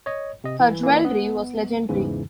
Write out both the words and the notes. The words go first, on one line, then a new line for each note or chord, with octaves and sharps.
Her jewelry was legendary.
C#5 D#5
C3 D#5
E3
E3 A#3
B3
E2 G#2 C#3 E3